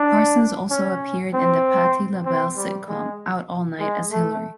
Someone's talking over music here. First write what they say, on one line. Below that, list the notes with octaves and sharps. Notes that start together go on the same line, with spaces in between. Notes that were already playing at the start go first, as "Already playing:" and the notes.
Parsons also appeared in the Patti LaBelle sitcom, "Out All Night" as Hilary.
Already playing: D4
C#4
C4
C4
G3
G#3
G#3
A3